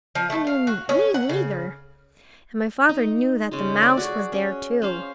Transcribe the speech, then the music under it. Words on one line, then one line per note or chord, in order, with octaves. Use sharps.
"I mean, me neither," and my father knew that the mouse was there, too.
F3
A3
F5
F#4
C#4
F#5
C#3
D#4
C#3 G#3
A3 D5
F#4 G#4
C#4
C#4 C5 F5